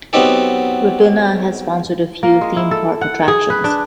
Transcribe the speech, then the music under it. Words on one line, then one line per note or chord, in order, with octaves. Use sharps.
Ribena has sponsored a few theme park attractions.
F#3 B3 C4 D#4 G4 A4
A#3
G#3
E4
A4
F#5
G#4
B4
D4